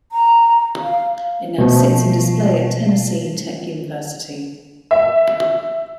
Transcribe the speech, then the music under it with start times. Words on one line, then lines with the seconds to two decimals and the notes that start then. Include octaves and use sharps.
It now sits in display at Tennessee Tech University.
0.12 A#5
0.80 F5
1.58 B2 F3 A3
4.91 E5